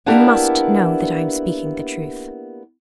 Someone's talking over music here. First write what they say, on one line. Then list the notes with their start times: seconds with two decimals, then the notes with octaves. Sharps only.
You must know that I am speaking the truth.
0.06 A#3 B3 D4 E4 G4 A#4